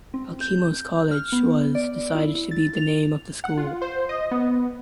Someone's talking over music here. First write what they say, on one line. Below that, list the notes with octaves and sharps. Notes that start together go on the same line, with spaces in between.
Alkimos College was decided to be the name of the school.
C4
G6
F6
B3
D5
E4
A6
F7
F#5
F4
C5
D#5
B3